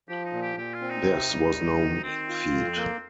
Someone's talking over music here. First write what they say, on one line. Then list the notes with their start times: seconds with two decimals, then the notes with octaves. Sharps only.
This was no mean feat.
0.09 F3 G4
0.25 D#4
0.33 A#2
0.41 G4
0.57 A#2 G4
0.74 F4
0.82 C4
0.90 D#4
1.06 C3
1.31 G3
1.55 D2
1.79 D#3
2.04 D#3 C4
2.29 F4
2.52 F2
2.77 A#3